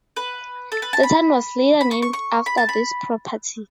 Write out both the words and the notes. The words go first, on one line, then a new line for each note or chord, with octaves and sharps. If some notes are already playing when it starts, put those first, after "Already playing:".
The town was later named after this property.
B4
A4
B4
A5
B5
B5
C#6
C#6
C#6
B5
A5
B5